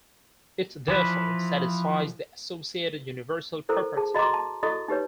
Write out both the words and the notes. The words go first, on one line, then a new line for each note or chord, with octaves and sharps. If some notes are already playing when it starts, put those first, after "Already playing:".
It therefore satisfies the associated universal property.
E3 F3 B4
E4 A4 A#4 C5
G#4 A5
F#4 D#5 A#5 C6 D6
A5
E4 F#4 A4 D#5 C#6 D#6
D#4 G4 B4 C#5